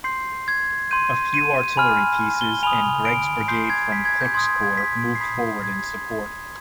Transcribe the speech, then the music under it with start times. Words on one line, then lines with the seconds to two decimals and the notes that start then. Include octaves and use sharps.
A few artillery pieces and Gregg's brigade from Crook's corps moved forward in support.
0.04 C6 G6 C7
0.48 G#6
0.91 C6 G6 D#7
1.34 D#7
1.77 G#5 B5 F6
2.41 G7
2.63 G#5 B5 D#6 F7
3.05 D7
3.48 C6 G6 C7
3.70 G#6
3.92 B6
4.05 G#6
4.21 G6
4.34 C6 D#6 G6 G#6
4.49 G#6
4.63 G#6
4.77 B6
5.15 C7
5.20 B5 D#6 G6 B6
5.64 G#6